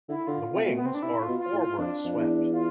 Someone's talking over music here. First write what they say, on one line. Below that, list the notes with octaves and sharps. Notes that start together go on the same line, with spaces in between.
The wings are forward-swept.
D3 E4
D3 F4
C3
B2 A3
B3
C4
D4
C3 E4
F4
B2
F4
A2
F4
F2 D4
F2
E2
F4